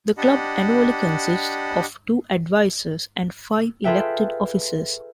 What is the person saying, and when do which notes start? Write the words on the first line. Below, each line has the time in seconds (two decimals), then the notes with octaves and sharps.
The club annually consists of two advisers and five elected officers.
0.18 D4 G4 D#5 F#5 A5 B5
3.84 F4 G#4 A4 B4 E5 G5